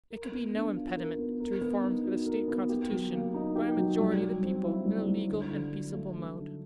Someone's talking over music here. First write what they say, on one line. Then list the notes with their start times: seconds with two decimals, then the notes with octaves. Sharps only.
It could be no impediment to reforms of the State constitution by a majority of the people in a legal and peaceable mode.
0.10 A#4
0.32 B3
0.54 D4
0.75 F4
0.97 A#4
1.18 B3
1.40 A#4
1.61 B3
1.83 D#4
2.04 F#4
2.26 A#4
2.48 B3
2.69 G4
2.91 F#3
3.13 A#3
3.34 D#4
3.55 G4
3.77 F#3
3.99 G3
4.21 G3
4.43 C4
4.64 E4
4.85 G3
5.07 G3
5.29 D3
5.51 D3
5.72 F#3
5.93 A3
6.15 D3
6.37 D3